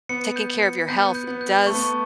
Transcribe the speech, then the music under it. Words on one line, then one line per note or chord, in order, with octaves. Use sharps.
taking care of your health does
B3 C#7
G6
C#7
B3 G6
G6
B3
G6
A3 C#6
B3
A3